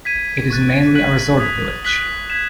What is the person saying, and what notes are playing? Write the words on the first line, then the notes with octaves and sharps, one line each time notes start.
It is mainly a resort village.
G#6 B6 D#7
C#6 F#6 A6
F#6 B6 D#7 F#7
D#6 G#6 B6
F#6 B6 F#7
G#6 B6 E7